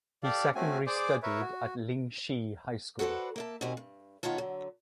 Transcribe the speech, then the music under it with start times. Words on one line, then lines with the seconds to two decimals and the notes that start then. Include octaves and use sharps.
He secondary studied at Lingxi High School.
0.23 G4 A4 D5 F5
0.55 A3 C4 C#4 F#4 G#5
0.87 G#4 C5 D5 D6
1.23 A#4 B4 C#5 E5
1.41 F#4
2.99 F#4 A4 B4 C5 D5
3.36 A#3 E5 A5
3.61 B2 D#3 G3 C4 G4 G#5
3.77 G2
4.23 D#3 B3 D#4 F4 C#5 A5
4.38 D3 F#3